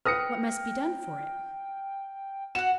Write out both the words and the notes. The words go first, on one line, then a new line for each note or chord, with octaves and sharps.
"What must be done for it?"
B4 G5 D#6 F6 A#6 C#7
F#4 F#5 E7